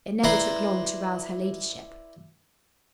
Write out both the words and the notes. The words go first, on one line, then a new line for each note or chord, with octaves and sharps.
It never took long to rouse her ladyship.
E4 B4 D5 A#5 C6